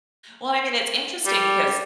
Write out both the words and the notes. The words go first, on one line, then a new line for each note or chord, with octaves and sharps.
Well, I mean, it's interesting because,
G3